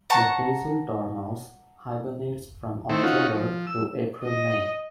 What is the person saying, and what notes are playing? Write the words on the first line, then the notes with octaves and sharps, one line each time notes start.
The hazel dormouse hibernates from October to April-May.
F#5 A5 A#5 C#6
D#3 A3 C4 E4
C#4 D#4 F4 F#4
F3
E6
D#5